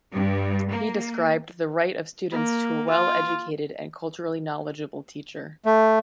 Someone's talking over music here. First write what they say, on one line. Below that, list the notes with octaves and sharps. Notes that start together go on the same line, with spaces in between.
He described the right of students to a well-educated and culturally knowledgeable teacher.
G2
A#3
A#3
F4
A3